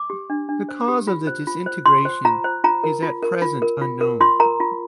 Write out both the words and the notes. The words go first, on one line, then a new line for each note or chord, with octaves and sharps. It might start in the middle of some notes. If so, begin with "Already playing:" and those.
The cause of the disintegration is at present unknown.
Already playing: D6
G4
D4
D4
C5
G4
F4
C5
F4
C5
F4 C6
C5
F4 A#5
C5
F4 A#5
A#4
F4
A#4
F4
A#4
F4
A#4
F4 C6
A#4 A#5
F4